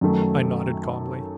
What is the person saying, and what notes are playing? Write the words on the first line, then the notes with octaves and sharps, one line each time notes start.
I nodded calmly.
F#2 D#3 F#3 A3